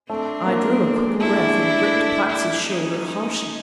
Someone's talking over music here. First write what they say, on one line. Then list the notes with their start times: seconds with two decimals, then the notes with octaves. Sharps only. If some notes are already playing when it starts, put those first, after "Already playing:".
I drew a quick breath and gripped Platts' shoulder harshly.
0.09 A3 C4 D4
0.47 A#3
1.09 G#3
1.20 A3 D4 E4
1.93 A3
2.29 D4 E4
2.67 C#4 D#4